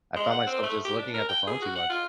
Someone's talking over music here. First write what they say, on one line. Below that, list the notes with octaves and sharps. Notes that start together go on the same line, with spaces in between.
I found myself just looking at the phone too much,
G#3
F#5
C4
A3
G4
D4
A#4
G5
G#4
F#4
F#5
F4